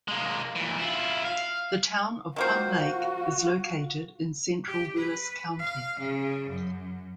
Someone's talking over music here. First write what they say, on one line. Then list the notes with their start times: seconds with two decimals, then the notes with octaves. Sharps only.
The Town of Plum Lake is located in central Vilas County.
0.08 G#3 A#3
0.55 A#2 E3
0.78 E4 F4
1.25 F5
2.36 D#3 A#3 F4 F#4 C5
4.67 G4
4.96 B4
5.59 F5
6.00 C#3
6.49 F#2